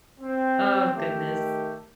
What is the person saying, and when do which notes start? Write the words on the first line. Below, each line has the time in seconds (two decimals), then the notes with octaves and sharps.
Oh, goodness.
0.20 C4
0.93 D#3 A3 G4